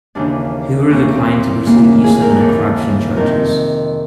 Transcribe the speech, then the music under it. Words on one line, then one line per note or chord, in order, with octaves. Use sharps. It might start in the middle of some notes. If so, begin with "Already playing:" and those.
Hoover declined to pursue Eastland on corruption charges.
D#2 C#3 E3 D4
D#2 C#3 E3 C#4
C4
D#2 C#3 E3 A#3
G#4
A#4
D#2 C#3 E3 A4
F2 C3 D#3 A#4